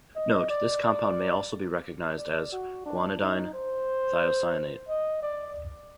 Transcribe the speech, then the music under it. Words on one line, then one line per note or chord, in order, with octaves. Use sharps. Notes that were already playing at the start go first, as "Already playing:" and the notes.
Note: this compound may also be recognized as guanidine thiocyanate.
D#5
D5
D5
D5
F#4
D4
D#4
C5
D#5
D5